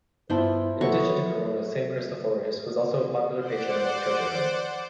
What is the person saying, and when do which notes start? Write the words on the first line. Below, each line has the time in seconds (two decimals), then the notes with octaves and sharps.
In addition to Corona, Saint Christophorus was also a popular patron among treasure hunters.
0.30 G2 B3 E4 F4 C5 A5
0.81 F#3 B3 A4 C#5 E5 C#6
3.36 C5 D5 F#5 D6